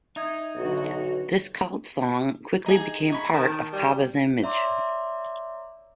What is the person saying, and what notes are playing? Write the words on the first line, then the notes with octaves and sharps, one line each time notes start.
This cult song quickly became part of Kabba's image.
D#4 E5 D#6 G#6
B1 D3 F#4
D#4 G#4
D#4 C#5 B5
D#3 A5
G3
C#5 D5 E5 A#5 C6 D6